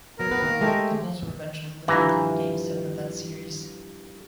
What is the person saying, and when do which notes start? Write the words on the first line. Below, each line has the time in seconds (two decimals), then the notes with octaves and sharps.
The Bulls were eventually eliminated in game seven of that series.
0.19 F#3 B3 A#4
0.31 B3 B4
0.42 D#3 A#3
0.61 G#3 A3 G4
1.88 G2 E3 F3 A#5